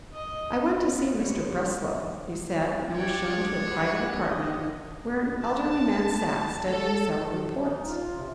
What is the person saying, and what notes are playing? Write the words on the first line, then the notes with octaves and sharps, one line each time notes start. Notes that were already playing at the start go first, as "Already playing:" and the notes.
"I want to see Mr. Breslow," he said, and was shown to a private apartment, where an elderly man sat, studying several reports.
D#5
B3 C#4
D3 G3 C#5
D4 G4 C#5 D5 G5
B4 F#5
D#5
A5
A4
D#4
F4
C3